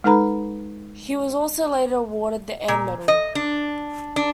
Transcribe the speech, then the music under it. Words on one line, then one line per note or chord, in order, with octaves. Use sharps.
He was also later awarded the Air Medal.
G#3 D#4 A4 B4 A#5 B5
A#2
D#5
D4
D4